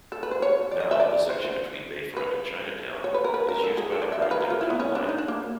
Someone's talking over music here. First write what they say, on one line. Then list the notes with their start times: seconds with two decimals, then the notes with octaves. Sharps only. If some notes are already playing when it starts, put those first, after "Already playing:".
Now, the section between Bayfront and Chinatown is used by the current Downtown Line.
0.12 A4
0.23 B4
0.31 C5
0.42 C#5
0.71 D5
0.80 D#5
0.91 E5
1.00 D5
1.29 C5
1.45 C5
2.17 B4
3.04 C#5
3.14 B4
3.24 A#4
3.34 B4
3.49 A#4
3.64 A4
3.77 G#4
3.92 A4
4.02 D5
4.12 E5
4.22 F5
4.31 B4
4.40 A#4
4.50 F4
4.61 E4
4.70 B3
4.79 C#4
4.95 D4
5.09 D#4
5.18 D4
5.28 A#3